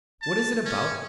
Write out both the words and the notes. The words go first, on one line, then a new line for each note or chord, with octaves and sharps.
What is it about?
A5
C#4